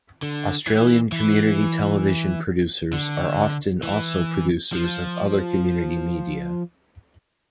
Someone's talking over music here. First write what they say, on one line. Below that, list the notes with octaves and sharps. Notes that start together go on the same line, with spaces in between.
Australian Community Television producers are often also producers of other community media.
D3
E3
E3
D3
E3
F3